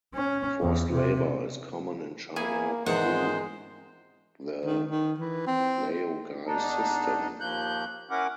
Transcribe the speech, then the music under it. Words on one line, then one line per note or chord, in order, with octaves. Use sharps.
Forced labor is common in China through the laogai system.
C#4
E2
C3
A#3 E4 G#4 G#5
E2 G#2 D#3 G#3 C5 F#5
D#3
D#3
E3
C4
E2 D4 D#4
D#2 F3 A#3 F#6 G6
C#4 E4 A#4 F#5 D6